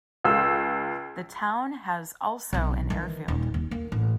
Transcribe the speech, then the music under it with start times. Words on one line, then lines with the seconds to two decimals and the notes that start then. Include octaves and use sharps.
The town has also an airfield.
0.25 C#2 E6
2.53 B1 C3
2.90 D#3 E3
3.28 D#1
3.54 D#2
3.71 A#3
3.92 A1